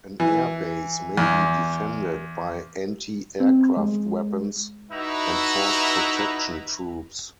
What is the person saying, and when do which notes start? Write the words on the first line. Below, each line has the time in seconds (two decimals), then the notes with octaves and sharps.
An air base may be defended by anti-aircraft weapons and force protection troops.
0.20 E3
1.17 E2
3.40 C4
3.77 G#3
4.91 D#4 E4 F#4 B4 E5 A#5